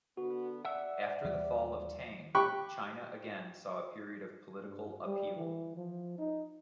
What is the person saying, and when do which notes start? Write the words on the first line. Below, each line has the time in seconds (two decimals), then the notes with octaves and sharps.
After the fall of Tang, China again saw a period of political upheaval.
0.17 D3 B3 F#4
0.65 D5 E5 F#5
1.24 D#2 E3 G3
2.35 G4 G5 B5 C#6 F#6
4.63 G2
5.06 G3
5.37 E3
5.77 F3
6.18 D#4